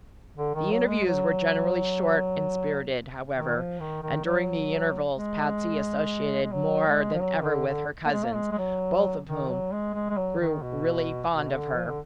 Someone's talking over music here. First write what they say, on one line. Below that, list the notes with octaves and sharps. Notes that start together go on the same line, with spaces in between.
The interviews were generally short and spirited, however, and during the intervals Patsy associated more than ever with her cousins, both of whom grew really fond of her.
D3
D#3
F#3
G#3
F#3
D#3
F3
D#3
D#3
F#3
G#3
G#3
F#3
G#3
F3
F#3
D3
D3
A#3
G#3
A#3
G#3
G#3
F#3
D#3
F#3
G#3
G#3
G#3
F#3
D#3
B2
B2
D3
F3
D3